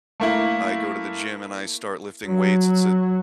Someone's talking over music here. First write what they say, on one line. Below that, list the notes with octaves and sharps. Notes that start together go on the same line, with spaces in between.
I go to the gym and I start lifting weights, it's a
A3 A#3 E4
F#3